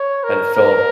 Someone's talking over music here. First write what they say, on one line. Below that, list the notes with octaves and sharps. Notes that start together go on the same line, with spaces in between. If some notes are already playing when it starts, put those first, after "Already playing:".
had to fill
Already playing: C#5
A#4
A#4